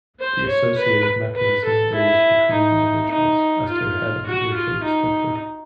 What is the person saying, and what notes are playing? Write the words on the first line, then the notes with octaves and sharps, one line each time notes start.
The associated mechanism varies between individuals, as their head and ear shapes differ.
C5
C#5
B4
B4
A4
E4
D#4
D#4
F4
F#4
F4
D#4